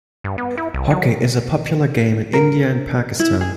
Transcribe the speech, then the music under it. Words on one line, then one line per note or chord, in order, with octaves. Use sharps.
Hockey is a popular game in India and Pakistan.
G2
B3
E4
C2
F#3
A#4
E4
G#4